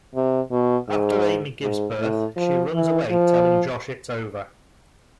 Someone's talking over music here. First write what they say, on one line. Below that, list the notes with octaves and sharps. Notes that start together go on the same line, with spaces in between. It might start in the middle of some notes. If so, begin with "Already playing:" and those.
After Amy gives birth she runs away telling Josh its over.
C3
B2
G#2
G#2
A2
F3
E3
F3